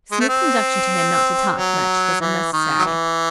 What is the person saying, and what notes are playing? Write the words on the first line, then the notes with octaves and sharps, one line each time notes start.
Psmith's injunction to him not to talk much was unnecessary.
G#3
A3
C4
F#3
E3
D#3
F#3
E3